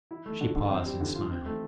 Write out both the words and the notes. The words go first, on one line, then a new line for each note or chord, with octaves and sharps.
She paused and smiled.
E4
A3
D3
D3
C4
G3
D3
F4
C4
A3